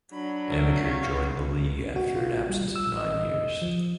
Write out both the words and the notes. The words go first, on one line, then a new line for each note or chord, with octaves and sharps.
Amager joined the league after an absence of nine years.
F#3 D4 B5
A#4 E5
F5 C#6
F#4
F4
G3
E6
D#5
D#5
F3